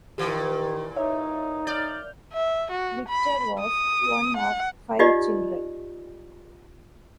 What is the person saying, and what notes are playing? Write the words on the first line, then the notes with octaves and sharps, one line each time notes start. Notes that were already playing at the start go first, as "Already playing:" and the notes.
Victor was one of five children.
A#2 D#3 E3 G4
D#4 C#5 E5
D5 F6 G6
E5
F#4
B5
D#6
F#5
D#4 F4 G4 D5 D#5